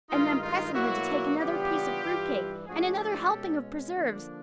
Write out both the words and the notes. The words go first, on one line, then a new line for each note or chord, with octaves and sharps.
And then pressing her to take another piece of fruit cake and another helping of preserves.
G2 D#3 G#3 D#4 F4
D#4 F4
B2 F#3 A#3 E4 F#4
C#3 E3 G3 B3 D4 F4 G4
G2 E3 G3
G#2 F3 A3 D4 F#4 G#4
G4 A4
B2 G#3 C#4
D3 F3 A#3 D4